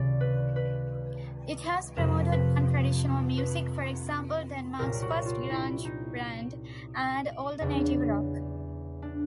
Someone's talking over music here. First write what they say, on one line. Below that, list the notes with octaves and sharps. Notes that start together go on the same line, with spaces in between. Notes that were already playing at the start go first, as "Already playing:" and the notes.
It has promoted non-traditional music, for example "Denmark's first grunge band" and alternative rock.
Already playing: C#2 C3 D#3 F#3 D5
B4
B4
F2 C3 F3 A#4
B4
B4
C2 A#2 F#3 A#4
F#4
F4
E4
D#4
E2 C#3 F#3 D4
D4